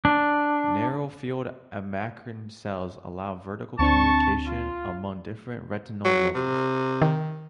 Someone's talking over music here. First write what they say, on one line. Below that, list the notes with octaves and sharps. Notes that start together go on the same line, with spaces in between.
Narrow field amacrine cells allow vertical communication among different retinal levels.
D4
D2 C4 D4 A5 C#6
F4
F#3
C3
D#3